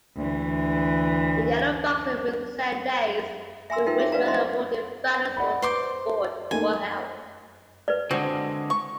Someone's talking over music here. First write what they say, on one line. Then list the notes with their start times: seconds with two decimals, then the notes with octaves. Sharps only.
The yellow boxes represent days during which medal-awarding finals for a sport were held.
0.16 D2 E3
3.70 E5 G#5 A#5 C6 E6
3.86 D#4 F4 A#4 B4 G5 C6
3.98 F#4 G#4 C#5 E5
4.12 D4 B4 D5 F5 A#5
4.25 E4 C5 D#5 E5 C6
5.37 D5 F#5 B5
5.62 B4 C5 C6 D6
6.51 A3 A#3 D#4 G#5
7.88 B4 D5
8.11 D3 G#3 C4 F#4
8.70 C#6